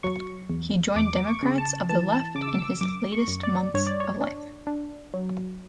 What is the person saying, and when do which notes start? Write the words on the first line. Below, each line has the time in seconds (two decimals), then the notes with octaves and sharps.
He joined Democrats of the Left in his latest months of life.
0.03 F#3 C#6
0.49 E2
0.96 E2 D6
1.16 D6
1.27 C#6
1.43 C#3
1.58 A5
1.89 E3 A5
2.12 A5
2.35 C#3 D6
2.42 E6
2.49 D6
2.58 E6
2.81 F#2 D6
3.12 C#6
3.28 F#2
3.43 D5
3.74 G2 C#5
3.87 D5
4.00 C#5
4.21 D4
4.67 D4
5.14 F#3